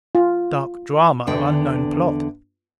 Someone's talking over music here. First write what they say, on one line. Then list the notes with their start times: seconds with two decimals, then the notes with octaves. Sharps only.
Dark drama of unknown plot!
0.15 F4
1.27 E2 D3 G5